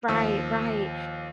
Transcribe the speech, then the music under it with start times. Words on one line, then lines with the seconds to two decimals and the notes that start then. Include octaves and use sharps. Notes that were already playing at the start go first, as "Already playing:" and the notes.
Right, right,
0.08 D#2 F3 E6